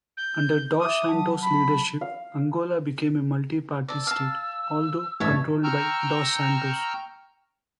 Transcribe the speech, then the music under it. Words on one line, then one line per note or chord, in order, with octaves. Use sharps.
Under Dos Santos's leadership, Angola became a multi-party state, although controlled by Dos Santos.
G6
E5 D6 D#6
F#3 A5
B5
F5
D5 A5 E6
F5 A5
A1 G2 C#5 E5 A5 G#6
G5 A#5 C#6 E6 F6 G6